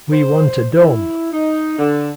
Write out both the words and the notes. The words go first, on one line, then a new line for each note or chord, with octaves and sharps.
We want a dome!
C5
E4
D#4
D3